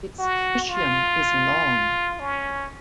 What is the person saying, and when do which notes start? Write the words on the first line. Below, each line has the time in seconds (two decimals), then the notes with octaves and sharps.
Its ischium is long.
0.19 F#4
0.69 F4
2.20 C#4